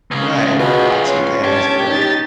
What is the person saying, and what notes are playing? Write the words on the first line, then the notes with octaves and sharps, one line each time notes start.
Right, pots and pans or whatever.
C#2 C#3
B2 F4 G#4
C#4 B4 C6
G4 A5 G#6
D#4 A6